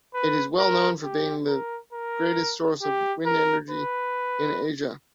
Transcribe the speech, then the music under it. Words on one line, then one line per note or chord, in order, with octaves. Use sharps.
It is well known for being the greatest source of wind energy in Asia.
B4
A#4
G4
A#4
A#4
G4
A#4
B4